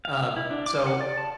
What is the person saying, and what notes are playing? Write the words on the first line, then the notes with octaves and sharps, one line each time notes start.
Uh, so,
F5
E4
D4
D6
F#5
D5
A5